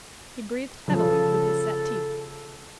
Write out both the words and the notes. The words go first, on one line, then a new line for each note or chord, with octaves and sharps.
He breathed heavily through his set teeth.
C#3 F3 A4